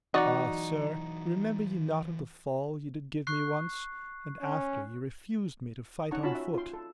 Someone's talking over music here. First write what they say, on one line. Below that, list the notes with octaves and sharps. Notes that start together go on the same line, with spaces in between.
Ah, sir, remember ye not of the fall ye did give me once, and after ye refused me to fight on foot.
E3 F#3 D#4 F#4 D5 D#5 F#5
C#6 F#6 C7
C#4
D#6
C#4 D#4 F#5 A5 A#5 C#6
C#4 F4 F#4 A5 B5
E5
F4 C6
A4